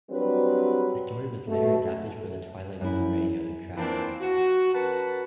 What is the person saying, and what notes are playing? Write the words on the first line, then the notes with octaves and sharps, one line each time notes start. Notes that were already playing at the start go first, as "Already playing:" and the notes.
The story was later adapted for The Twilight Zone Radio Dramas'.
F#3 G3 C4 D4 B4
B2 A3
F#2 E4
E3 A#3 C4 D4 F4
F#4
F#2 A#4 B4 F#5 A5